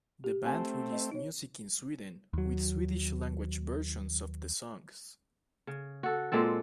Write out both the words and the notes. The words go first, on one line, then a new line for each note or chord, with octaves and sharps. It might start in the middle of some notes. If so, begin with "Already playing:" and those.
The band released music in Sweden with Swedish language versions of the songs.
G4
A3 C4 G#5 A5
C5 D#5
D#4 C#5
D#2 F#3
C#3
F#4 A4
A#2 G#3 C4 A4